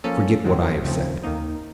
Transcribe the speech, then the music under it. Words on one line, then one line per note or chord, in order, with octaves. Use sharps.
Forget what I have said.
F3 A#3 C#4 A4
D#3 F#3 C4
D#2 C#3 F3 A3 C4
D#2 D#3 A#3 D#4